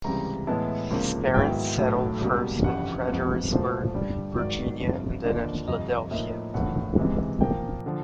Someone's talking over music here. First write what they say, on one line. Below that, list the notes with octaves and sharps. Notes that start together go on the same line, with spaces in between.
His parents settled first in Fredericksburg, Virginia, and then at Philadelphia.
C#2 C3 E3 G3 A#5
A2 E3 G#3 B3 E4 A5
C#2 C3 F3 A#3 D4
G#2 D#3 F#3 B3 E4 G5
B1 A2 F#3 A3
C#2 B2 G3 A#3
G1 F2 C#3 E3 G3 F#5
F2 C3 F3 G#3 B3 F#5
C2 A#2 F3 A3 C5
G2 D3 G3 D5
G#1 G#2 D#3 F#3 D5
G1 F2 C3
D#2 D3 F3 A#3 D#4 D5
G1 F2 C3 D#5
A2 F3 A#3 D#4 E5
A#1 A2 E3 F#5
C#2 C3 E3 G#3
A#2 F3 A#3 G5
D3 F3